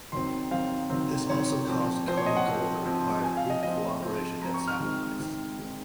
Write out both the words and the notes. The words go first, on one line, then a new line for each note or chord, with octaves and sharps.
This also caused a common goal that required group cooperation and sacrifice.
D#3 F#3 C4 C6
D#3 F#3 C4 F5
D#3 F#3 C4
D#3 F#3 C4 C#5
F3 C4
F3 C4 C5
C#5
D#5
F#5
F3 C4
F3 C4
F3 C4 G#5
F5
D#5
F3 C4 D#5
F3 C4
F3 C4 A#5
C#6
F6
D#3 G#3 C4
D#3 G#3 C4 F6
D#3 G#3 C4